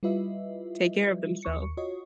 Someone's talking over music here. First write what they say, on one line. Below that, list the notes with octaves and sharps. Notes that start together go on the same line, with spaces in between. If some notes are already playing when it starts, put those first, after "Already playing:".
take care of themselves.
G3 E4 F4 B4 D#5 E5
D#2 C#6 C#7
F4 F#4 C#5 D#5